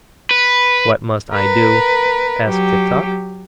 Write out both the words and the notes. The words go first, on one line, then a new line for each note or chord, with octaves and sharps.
"What must I do?" asked Tik-Tok.
B4
A#4 B4
F#3 G4